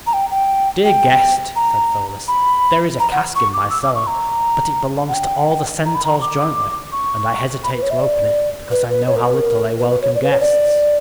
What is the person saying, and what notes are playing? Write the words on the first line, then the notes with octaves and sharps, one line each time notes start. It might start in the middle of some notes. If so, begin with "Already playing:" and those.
"Dear guest," said Pholus, "there is a cask in my cellar; but it belongs to all the Centaurs jointly, and I hesitate to open it because I know how little they welcome guests."
A#5
G5
G5
G5
A#5
B5
A#5
F#5
C#6
D6
E6
D6
C#6
A#5
F#5
G5
A#5
B5
A#5
D6
C#6
B5
B4
C#5
E5
D5
B4
B4
C#5
A#4
B4
A#4
B4
B4
C#5
D5
B4
C#5
D5